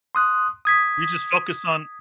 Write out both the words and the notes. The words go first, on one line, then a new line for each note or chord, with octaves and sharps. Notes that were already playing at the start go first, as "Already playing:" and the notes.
You just focus on
C6 D#6 F#6
D#6 G#6 B6